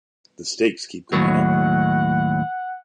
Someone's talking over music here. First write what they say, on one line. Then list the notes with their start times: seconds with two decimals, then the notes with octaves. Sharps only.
The stakes keep going up.
1.13 D#2 A2 F#3 F#5